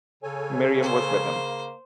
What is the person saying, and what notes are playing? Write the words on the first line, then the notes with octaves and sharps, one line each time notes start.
Miriam was with him.
C#3 A4 C#5 G#5
A#3 C5